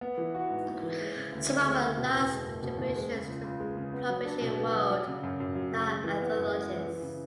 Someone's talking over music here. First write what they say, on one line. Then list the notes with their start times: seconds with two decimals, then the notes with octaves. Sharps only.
Some of her last contributions to the publishing world are her anthologies.
0.01 B3
0.18 E3
0.35 F#4
0.50 G#2
0.67 B3
0.83 E3
1.00 G#3
1.16 C#3
1.32 D2
1.48 D2
1.65 G#3
1.81 C#3
1.98 B2
2.14 E2
2.30 G#3
2.46 F#1
2.63 B2
2.78 E2
2.96 G#3
3.12 C#3
3.28 C#2
3.44 C#2
3.60 G#3
3.77 C#3
3.93 B3
4.09 F#3
4.25 D4
4.42 B2
4.57 B3
4.75 F#3
4.90 F#3
5.07 C#3
5.23 F#2
5.40 F#2
5.56 F#3
5.72 C#3
5.88 G#3
6.04 E3
6.21 B3
6.38 F#2
6.53 G#3
6.70 E3
6.86 E3
7.02 C#3